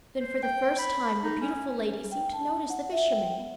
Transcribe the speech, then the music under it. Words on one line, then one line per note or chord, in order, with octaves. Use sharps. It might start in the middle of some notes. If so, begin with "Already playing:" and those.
Then for the first time the beautiful lady seemed to notice the fisherman.
C5
G5
B5
D#4
C#4
G5
A5
D4
F#5
E5
G5
B3